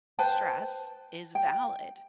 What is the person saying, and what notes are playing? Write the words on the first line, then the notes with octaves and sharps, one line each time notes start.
stress is valid.
B4 C5 G5 A5
G5